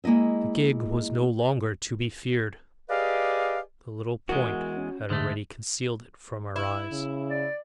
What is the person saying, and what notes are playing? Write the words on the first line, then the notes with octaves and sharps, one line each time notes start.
The gig was no longer to be feared; the little point had already concealed it from our eyes.
G#3 A#3 E4 D#5 E5
G4 G#4 B4 D5 D#5 F5
E2 G#3 F#4 A#4
C#4
E2 A2 D3 G#3 A3
E4
C#3
D5